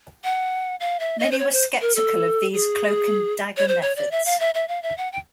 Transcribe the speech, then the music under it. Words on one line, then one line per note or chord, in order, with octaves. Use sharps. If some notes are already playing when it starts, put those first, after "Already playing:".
Many were skeptical of these cloak and dagger methods.
F#5
F5
E5
D#5
C5
C#5
C5
A#4
A4
G#4
C#5
C5
C#5
D5
E5
F5
E5
E5
F5
E5
F#5
G5